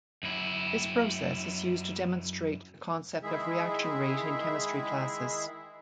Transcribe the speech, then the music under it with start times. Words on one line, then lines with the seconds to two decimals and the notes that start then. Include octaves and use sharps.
This process is used to demonstrate the concept of reaction rate in chemistry classes.
0.23 F#2 E4
3.23 D#3 G#3 E4 G#4 E5